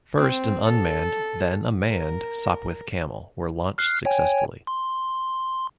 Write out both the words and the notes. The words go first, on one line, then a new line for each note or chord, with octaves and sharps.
First an unmanned, then a manned, Sopwith Camel were launched successfully.
C4
A4
A#4
F6 F#6 C7
C#5 G5 G#5
C6